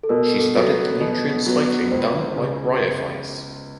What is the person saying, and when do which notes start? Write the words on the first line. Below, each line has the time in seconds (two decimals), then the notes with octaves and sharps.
She studied the nutrient cycling done by bryophytes.
0.03 A4
0.09 B2 A#4
0.39 A4
0.54 F#3 B3
1.01 B2
1.46 F#3 B3
1.91 C#2 C5
2.36 C#3